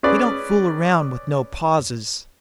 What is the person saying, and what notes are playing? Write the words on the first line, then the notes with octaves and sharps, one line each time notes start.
He don't fool around with no pauses.
C#4 G#4 B4 D5